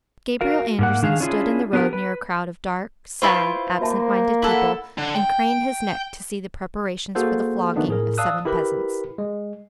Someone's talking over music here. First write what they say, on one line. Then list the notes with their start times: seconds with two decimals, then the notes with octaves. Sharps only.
Gabriel Andersen stood in the road near a crowd of dark, sad, absent-minded people and craned his neck to see the preparations for the flogging of seven peasants.
0.41 F#4 A#4 F5
0.79 G#2 A#3 F#5
1.02 D#3 D4 G#4 F5
1.20 C#4 D4 E4 F4 G#4
1.73 B3 D4 G4 A#4
1.93 B4
3.22 E4 F4 B4 C5 B5 C#6
3.81 A#3 F#4 C5 E5 A5
4.42 E4 A4 F#5
4.98 D3
5.15 G5
7.15 A#3 F#4 G#4 A4 C5 F#5
7.76 D#3 A3 B3 D4 D#4
7.88 A2 G#4 A#4
8.18 D5 F5 A5 D#6 E6 F#6
8.45 E4 G4 A#4 B4 B5
9.18 G#3